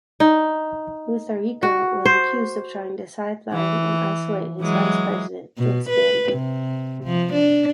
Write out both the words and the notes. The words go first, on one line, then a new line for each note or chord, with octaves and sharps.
Mutharika was accused of trying to sideline and isolate his vice-president, Joyce Banda.
D#4
F#4
C5
E3
E3 F#3 G#3
B2
B4
C3
F3
D4